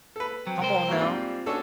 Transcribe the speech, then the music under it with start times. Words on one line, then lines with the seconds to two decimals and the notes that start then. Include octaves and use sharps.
Come on, now.
0.16 A4 B4
0.47 F#3 C4
0.59 C2 A#4 C5
0.88 G#2 F#3 A#3
1.00 G3 C4 F4
1.46 C#4 D4 F#4 A4